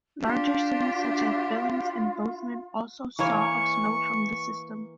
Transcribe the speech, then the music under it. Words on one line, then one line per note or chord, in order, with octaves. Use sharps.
Larger cities such as Billings and Bozeman also saw of snow from the system.
D4 F4 G4
E3 A#3 C#5 C#6